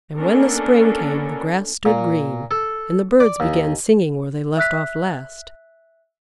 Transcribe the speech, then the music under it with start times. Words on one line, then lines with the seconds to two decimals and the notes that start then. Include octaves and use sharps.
And when the spring came the grass stood green, and the birds began singing where they left off last.
0.18 A#3 B3 C#4 D4 A4 A#4
1.85 A#2
2.51 A4
3.20 D5
3.40 D#2
4.57 E5 E6 F#6 B6